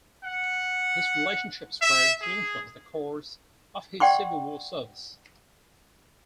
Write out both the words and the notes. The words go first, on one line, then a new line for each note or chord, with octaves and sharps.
These relationships were to influence the course of his Civil War service.
F#5
E5
G#4
D5 F#5 G5 C6 C#6